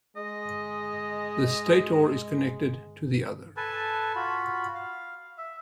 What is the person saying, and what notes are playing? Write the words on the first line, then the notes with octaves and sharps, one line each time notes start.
The stator is connected to the other.
G#3 D#5
A4 B4 G#5 A5
F4 F#4 B5
F5
E5